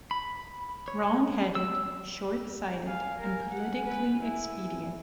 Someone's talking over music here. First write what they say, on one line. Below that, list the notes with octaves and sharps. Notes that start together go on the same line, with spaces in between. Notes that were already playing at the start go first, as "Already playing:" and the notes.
Wrongheaded, shortsighted, and politically expedient.
B5
C#5
E6
F5 G#5
A#4
F#5
B4
E4